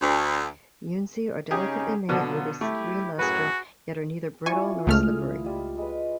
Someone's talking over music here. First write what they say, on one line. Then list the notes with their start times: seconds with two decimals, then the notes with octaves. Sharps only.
Yunzi are delicately made with a green luster yet are neither brittle nor slippery.
0.02 D2
1.51 C#3 C#4 D#4 G4 G#4 D#6
2.09 B2 D3 A#3 B3 D4 F#4
2.28 F#3 F4
2.61 A3 E4 G4
3.19 F#2 A2 F#3 F#4 G#4 B4
4.46 E4 F4 D5 G#5 C#6
4.87 C#2 A3 G#4 F6
5.45 G3 F4
5.77 G#3 B4